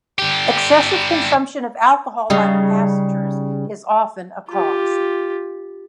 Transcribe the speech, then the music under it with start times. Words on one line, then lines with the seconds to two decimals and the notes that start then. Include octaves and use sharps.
Excessive consumption of alcohol by the passengers is often a cause.
0.19 D3 G4
2.30 C#3 G3 D#4
4.49 F4 G4